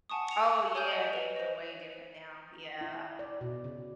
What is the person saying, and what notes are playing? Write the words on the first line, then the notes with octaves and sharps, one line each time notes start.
Oh, yeah, things are way different now, yeah.
F#5 G#5 A5 C#6 D#6
C#7 F7
C#5 G#5 D#6 F6 G6
D#5
B4 F7
C5 D#5
E4
D5
B2
C#3